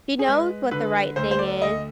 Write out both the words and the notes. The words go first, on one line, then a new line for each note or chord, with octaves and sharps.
she knows what the right thing is,
G#4
G#3 B4
D3 B4
D2 C5
C5
D5
D2 D#5